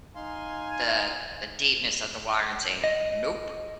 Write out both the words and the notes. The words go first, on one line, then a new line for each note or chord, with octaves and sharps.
the the deepness of the water and say, "Nope."
D#4 F5 G#5 C6
D#5